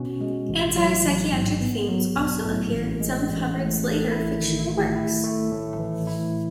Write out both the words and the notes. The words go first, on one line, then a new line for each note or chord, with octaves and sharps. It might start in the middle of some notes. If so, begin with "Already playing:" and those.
Anti-psychiatric themes also appear in some of Hubbard's later fictional works.
Already playing: B2 C#4 F#4
G#3
A1
F#3
A1
G#2
B3
F#3
B1
A2
A1
G#3
A1
A2
A4
E4
D#3
A3
E4
A3
A2
E3
E4